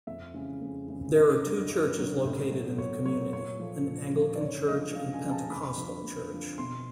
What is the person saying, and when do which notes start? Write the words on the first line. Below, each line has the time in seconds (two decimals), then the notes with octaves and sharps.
There are two churches located in the community, an Anglican church and Pentecostal church.
0.07 F2 E5
0.34 C#3 E3 G#3
0.62 F2
0.88 C#3 E3 G#3
1.15 G2 D#5
1.43 D3 F#3
1.69 G2
1.98 D3 F#3
2.24 A2
2.51 F#3 A3
2.78 A2 C#5
3.05 F#3 A3 C#5
3.33 A#2 C#5
3.59 F3 A3
3.87 A#2
4.14 F3 A3
4.35 D5
4.41 F#2 C#5
4.68 D3 F3 G#3 D#5
4.95 F#2 F5
5.13 G#5
5.23 D3 F3 G#3
5.31 A5
5.49 F2 B5
5.77 D3 F3
6.04 F2
6.32 D3 F3
6.58 B2 C6